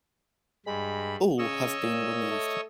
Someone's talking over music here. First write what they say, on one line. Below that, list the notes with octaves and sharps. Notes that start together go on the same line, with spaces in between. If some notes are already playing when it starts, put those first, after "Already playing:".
All have been removed.
G2 G#3 B5
C#3 C#5 D#5 E6
A#2
A3